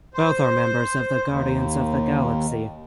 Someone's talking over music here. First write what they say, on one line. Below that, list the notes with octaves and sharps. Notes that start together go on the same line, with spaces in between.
Both are members of the Guardians of the Galaxy.
C5
D#2